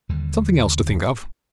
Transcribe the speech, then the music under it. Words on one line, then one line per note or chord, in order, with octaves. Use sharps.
Something else to think of.
D#2 D3 G3